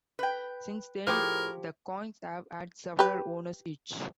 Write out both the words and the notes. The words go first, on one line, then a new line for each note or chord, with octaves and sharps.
Since then, the coins have had several owners each.
B4 G5
A2 F3 G4 G#4 A#4
G4 B4